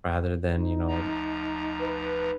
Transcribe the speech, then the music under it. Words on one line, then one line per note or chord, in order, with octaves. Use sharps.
rather than, you know,
D#4
D2 F3 A#5
B4